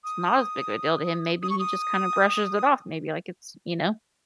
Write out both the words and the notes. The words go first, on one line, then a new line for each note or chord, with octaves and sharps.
it's not as big of a deal to him. Maybe he just kinda brushes it off. Maybe, like, it's you know?
D#6
D#6
C#6
D#6